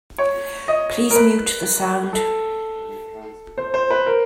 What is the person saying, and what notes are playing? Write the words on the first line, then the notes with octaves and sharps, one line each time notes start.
Please mute the sound.
C#5
D#5
A#4
B4
A4
C5
C5
B4
A#4